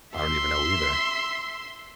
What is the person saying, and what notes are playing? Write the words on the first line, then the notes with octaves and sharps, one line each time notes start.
I don't even know either.
E5 C6